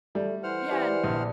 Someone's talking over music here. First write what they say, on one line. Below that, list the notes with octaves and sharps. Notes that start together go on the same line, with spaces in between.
Yeah, and,
G3 A3
E3 C5 F#5 F6
E3 G4 D5 G#5
A#1 C4